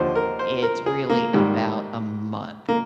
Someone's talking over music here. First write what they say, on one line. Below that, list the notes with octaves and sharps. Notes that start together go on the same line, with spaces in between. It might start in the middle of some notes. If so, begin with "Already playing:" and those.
it's really about a month.
Already playing: D#2 D3 F3 C5
A#4
C5
A#4
G#4
A#3
G#2 D#3 G3
A#3